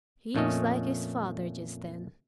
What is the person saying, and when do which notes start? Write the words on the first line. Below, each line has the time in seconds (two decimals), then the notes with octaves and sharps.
He was like his father just then.
0.35 F2 A#2 A3 C#4 D#5